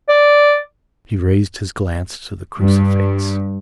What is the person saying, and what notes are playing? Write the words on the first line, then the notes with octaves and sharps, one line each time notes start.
He raised his glance to the crucifix.
D5
G2